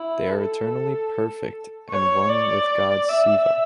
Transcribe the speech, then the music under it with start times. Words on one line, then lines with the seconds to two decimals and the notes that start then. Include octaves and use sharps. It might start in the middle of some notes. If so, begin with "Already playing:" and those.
They are eternally perfect and one with God Siva.
Already playing: E4
0.29 A4
1.90 C#5
2.29 D5
3.09 E5